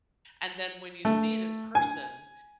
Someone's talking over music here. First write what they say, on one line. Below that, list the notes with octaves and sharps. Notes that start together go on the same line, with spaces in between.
And then when you see it in person,
A3
G#5